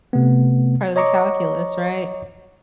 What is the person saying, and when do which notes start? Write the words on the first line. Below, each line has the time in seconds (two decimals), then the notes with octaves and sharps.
part of the calculus, right.
0.13 C3 A3 B3
0.96 C#5 D#5 A#5 C#6 D6